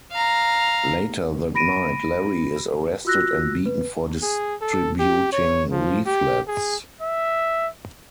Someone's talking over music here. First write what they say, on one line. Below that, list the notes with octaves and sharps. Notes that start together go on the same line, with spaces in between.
Later that night, Larry is arrested and beaten for distributing leaflets.
F5 A#5
B5 A#6 D7 D#7
F4 F#4 E6 F#6 A#6
B4
G#4
A4
G4
C#5
F3
G4
G#4
E5